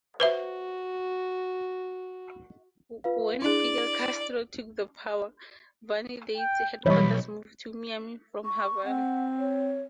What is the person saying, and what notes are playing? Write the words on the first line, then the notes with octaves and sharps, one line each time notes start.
When Fidel Castro took the power, "Vanidades"' headquarters moved to Miami from Havana.
F#4 B4 C5 E5
F4 B4 F5
D4 E4 G#4 D5
G5
B1 F#2 E3 G3 C#5 D#5 B5 C#6
C#6
C4 F#5
C#5